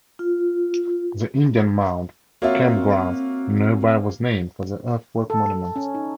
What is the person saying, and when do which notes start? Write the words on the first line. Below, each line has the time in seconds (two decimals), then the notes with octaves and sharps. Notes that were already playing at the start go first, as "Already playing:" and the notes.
The Indian Mound Campground nearby was named for the earthwork monuments.
0.19 F4
2.42 A#3 C4 F4 F#4 C#5 E5
5.30 A4
5.76 C#4
5.94 D#4